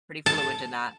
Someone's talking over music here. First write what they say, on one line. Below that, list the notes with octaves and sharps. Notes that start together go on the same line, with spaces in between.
Pretty fluent in that.
A5